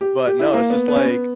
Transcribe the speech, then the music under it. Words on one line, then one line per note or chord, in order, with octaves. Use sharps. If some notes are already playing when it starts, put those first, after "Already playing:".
But, no, it's just, like,
G4
G4
E4
A#3
B3
B3
C#4
B3